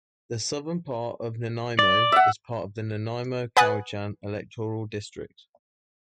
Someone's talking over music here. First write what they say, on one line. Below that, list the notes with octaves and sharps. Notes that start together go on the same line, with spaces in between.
The southern part of Nanaimo is part of the Nanaimo-Cowichan electoral district.
D5
E5 F#5
B4 F#5 G#5 D#6 F#6 A6